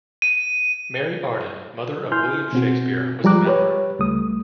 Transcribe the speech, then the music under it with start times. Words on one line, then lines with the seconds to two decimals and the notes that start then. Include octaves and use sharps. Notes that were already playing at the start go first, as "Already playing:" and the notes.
Mary Arden, mother of William Shakespeare, was a member.
0.22 D#7
2.12 E4 G#5 C6 F6 G6
2.53 B2 C4 F#4
3.24 F3 G3 G#3 A#5 D6 F#6
3.45 G4 B4 C#5
3.99 C#2 G3 A3 D#6